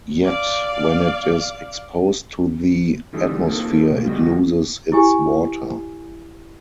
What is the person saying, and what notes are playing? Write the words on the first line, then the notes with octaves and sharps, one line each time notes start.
Yet when it is exposed to the atmosphere it loses its water.
D5 F5
D3 E3 G3 A3 D4 D#4
A#3 C4 D#4 F4 A4
B2 A#3
D3 G3 A3 B3 F#4 D#5
E4 G4 G#5